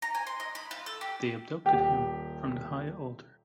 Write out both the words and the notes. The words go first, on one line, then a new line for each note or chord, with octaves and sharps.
They abducted him from the high altar.
A#5
G#5
C6
D#5
B5
F4
A4
G4
D#1 G4